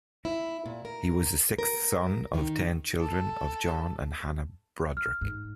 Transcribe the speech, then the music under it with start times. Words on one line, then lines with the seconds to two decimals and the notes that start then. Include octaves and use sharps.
He was the sixth son of ten children of John and Hannah Brodrick.
0.25 E4
0.66 A#2
0.85 A#4
1.59 A#4
2.34 D#3
3.00 A4
4.97 F6
5.21 G#2